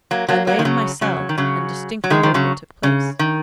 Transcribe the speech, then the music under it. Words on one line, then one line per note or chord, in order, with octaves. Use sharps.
I lay in my cell, and distinctly heard what took place.
F#3 A#3
F#3 A#3
F#3 A#3
D#3
C#3 F#3
C#3 F#3
D#3
C#3 F#3
F#3
D#3 G#3
D#3
C#3 F#3
C#3
D#3